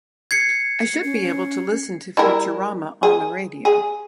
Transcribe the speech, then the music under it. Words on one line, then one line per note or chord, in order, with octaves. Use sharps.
I should be able to listen to Futurama on the radio.
G#6 C7 C#7
C#4
G3 E4 A#4
G#4
G#4